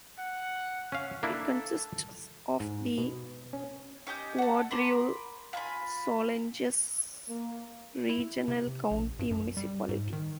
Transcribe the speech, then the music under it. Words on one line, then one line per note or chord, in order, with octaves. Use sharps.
It consists of the Vaudreuil-Soulanges Regional County Municipality.
F#5
C#4 F5
A#3 D4 E4 A4
G#2
B2
C#4
C#4 G4 D#5 G6
A4 F#5
A#4 B5 C6 D6
F4 G#5 A#5 B5
A#3
E4
C3
A#1
G2
F#2
G3
G#2
D#3